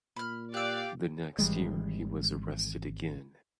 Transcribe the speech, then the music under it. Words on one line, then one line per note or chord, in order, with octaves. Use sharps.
The next year he was arrested again.
A#2 B5 F6
G4 D5 F5 E6 F#6
G#1 E3 G3 G#3